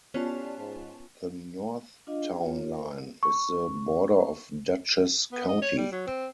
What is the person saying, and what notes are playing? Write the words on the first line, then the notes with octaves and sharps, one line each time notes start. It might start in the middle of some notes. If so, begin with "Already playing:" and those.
The north town line is the border of Dutchess County.
A2 B3 C#4 F4 G4 D5 A5
G#2
D4 F4 D#5 F5
G#4 G5
F4 C#5
A#4 F5
C#6
B3
D#5
C#5
G3
F#3
C4